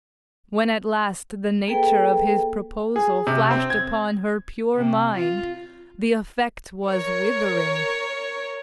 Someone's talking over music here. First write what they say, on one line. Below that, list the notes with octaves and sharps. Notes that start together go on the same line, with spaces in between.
When at last the nature of his proposal flashed upon her pure mind, the effect was withering.
A#3 G#4 A4 B4 G5
G#4
C3
C4
G#6
C3
F4
A#4 C#5